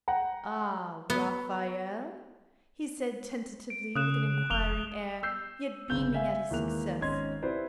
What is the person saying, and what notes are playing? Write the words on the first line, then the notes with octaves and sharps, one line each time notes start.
'Ah, Raphael?' he said, tentatively, with an inquiring air, yet beaming at his success.
F#5 G5 A#5
B3
D7
C#3 D#6 F#6 E7
F1 F7 G7
E6 G6 C7
G1 C#3 G6 G7
E5 F5 G#5
D#2 E3 G#3 A#3 F#6 F7
G#1 C#4 D#5 C6 G#6
C4 E4 G4 B4 C5 D5